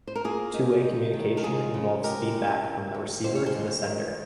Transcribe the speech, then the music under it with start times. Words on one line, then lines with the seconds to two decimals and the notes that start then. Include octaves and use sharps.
Two-way communication involves feedback from the receiver to the sender.
0.07 C5
0.15 A#4
0.24 A#3 F4 G#4
0.53 D#4
0.84 D#4
1.14 D#3
1.37 A#4
1.43 G#3 F4 G#4
1.74 C#3
2.03 G#3 G4 A#4
2.34 C#3
2.64 C#3
2.94 D#2
3.24 D#2 C5
3.35 C#5
3.46 G#4 C5
3.54 D#2
3.83 D#3